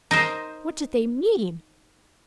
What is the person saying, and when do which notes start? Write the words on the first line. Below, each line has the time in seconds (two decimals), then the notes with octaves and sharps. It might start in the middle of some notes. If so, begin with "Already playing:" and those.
What did they mean?
0.11 D#4 A#4 C5